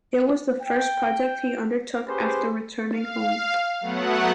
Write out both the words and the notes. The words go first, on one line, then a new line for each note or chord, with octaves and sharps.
It was the first project he undertook after returning home.
G5
C#4 G4 G#4 B4 C5
F5
F#3 A3 B3 F#5